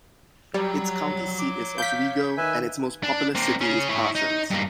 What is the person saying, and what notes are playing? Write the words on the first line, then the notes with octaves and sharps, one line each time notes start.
Its county seat is Oswego, and its most populous city is Parsons.
F#3 G3 C#5 A#5
D6
F5 G6 B6
D#3 B4 E5 G#5
D4
A#3 C4
C#4 G#4
E4 C#5
D#4
G2 A#3